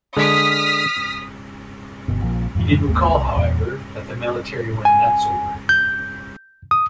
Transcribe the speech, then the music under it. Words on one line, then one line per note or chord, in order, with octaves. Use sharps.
He did recall, however, that the military went nuts over it.
D3 G#3 D#6 F6 B6
G1 B2
A#1 A#2 F3
F2 G#2 E3
G#1 D#2 A3 B3
C2
E2 A#2
G#5
G6
D#6